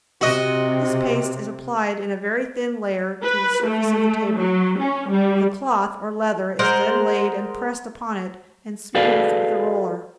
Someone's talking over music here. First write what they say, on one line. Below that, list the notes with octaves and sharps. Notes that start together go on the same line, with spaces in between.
This paste is applied in a very thin layer to the surface of the table; the cloth, or leather, is then laid and pressed upon it, and smoothed with a roller.
C3 F#4 D#5
B4
A3
F#3
C#4
G3
G#3 A#4 C5 F#5
F#4 G#4 A4 B4 D5 F5